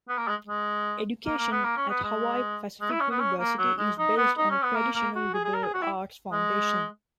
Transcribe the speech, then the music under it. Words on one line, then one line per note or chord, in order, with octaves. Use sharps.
Education at Hawaii Pacific University is based on a traditional liberal arts foundation.
B3
A#3
G#3
G#3
A#3
A#3
B3
A#3
C#4
B3
G#3
G#3
E4
C#4
B3
C#4
A#3
F#3
G#3
D#4
B3
D#4
C#4
B3
A#3
A#3
F#4
G#4
G#4
A#4
G#4
F#4
E4
G#3